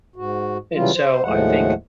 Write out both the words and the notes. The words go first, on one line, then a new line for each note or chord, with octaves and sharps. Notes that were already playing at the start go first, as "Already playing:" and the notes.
and so I think
G#2 F#4
C#3 E3 F#3 G3 F4
C5
D#2 A2 F3 G#3 A3 F#5